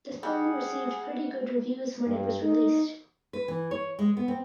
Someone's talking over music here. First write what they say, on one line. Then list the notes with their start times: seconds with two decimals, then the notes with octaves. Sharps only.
The film received pretty good reviews when it was released.
0.23 G3 G#4 F#5
2.06 G2
2.42 D#4
3.33 B4
3.48 E3
3.71 C#5
3.99 G#3
4.17 B3
4.28 C4